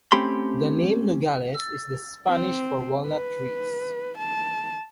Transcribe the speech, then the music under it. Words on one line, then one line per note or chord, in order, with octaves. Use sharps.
The name "Nogales" is the Spanish for walnut trees.
A3 C4 C#4 G4 B5 C6
C4
B4
A5